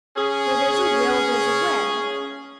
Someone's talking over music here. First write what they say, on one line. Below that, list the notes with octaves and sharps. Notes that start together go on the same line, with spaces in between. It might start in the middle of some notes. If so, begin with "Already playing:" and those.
Where there's a will, there's a way.
C#4 G#4